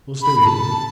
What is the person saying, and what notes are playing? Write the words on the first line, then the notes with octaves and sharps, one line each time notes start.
We'll stay here.
B5
B5
A5